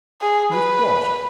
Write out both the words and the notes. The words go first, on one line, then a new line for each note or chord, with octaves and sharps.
"With what?"
G#4
B4